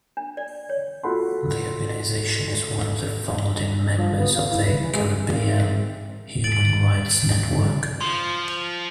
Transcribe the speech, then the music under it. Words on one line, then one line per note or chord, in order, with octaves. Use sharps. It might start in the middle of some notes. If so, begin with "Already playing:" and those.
The organization is one of the founding members of the Caribbean Human Rights Network.
D4
D5
C#5
F4 F#4 A4 F#5 B5 C6
F3
B3
F5
E4
B4
E3
G#3
G#2 C4 A#4 E5 F5
A6 D7 F#7
F3 C6